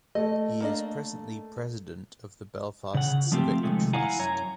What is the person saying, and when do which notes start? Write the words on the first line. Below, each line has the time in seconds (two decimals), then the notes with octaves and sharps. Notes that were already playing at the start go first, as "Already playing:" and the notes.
He is presently President of the Belfast Civic Trust.
0.15 A3 D#5
0.60 A#3 D4 D#5
2.94 C#3 F#5
3.32 F3 A3 C4 F4 G4
3.63 C3 D#3 F3 G#3 A3
3.93 E4 F5 F#5 G#5 A#5
4.19 F#2 C#5 A#5